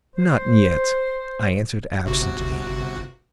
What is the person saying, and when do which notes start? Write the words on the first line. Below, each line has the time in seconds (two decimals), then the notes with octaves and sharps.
"Not yet," I answered absently.
0.16 C5
2.06 G1 C3 F#4